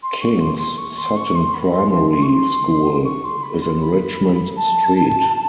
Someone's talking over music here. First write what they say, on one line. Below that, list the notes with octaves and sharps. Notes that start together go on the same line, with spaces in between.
Kings Sutton Primary School is in Richmond Street.
C6
C#6
C6
C6
C#6
C6
C#6
C6
B5
C6
C6
C6
C#6
C6
C#6
C6
B5
C6
B5
A5